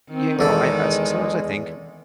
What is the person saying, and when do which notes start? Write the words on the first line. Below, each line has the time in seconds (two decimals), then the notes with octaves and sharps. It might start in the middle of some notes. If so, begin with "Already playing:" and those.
You know, I I s sometimes I think
0.10 D#3 C4
0.39 E2 G#3 A4 B5